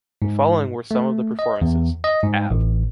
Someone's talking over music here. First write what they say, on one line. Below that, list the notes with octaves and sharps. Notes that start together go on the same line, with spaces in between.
The following were some of the performances: Av.
G#2
A3
D#5
E2
D#5
G#2
A1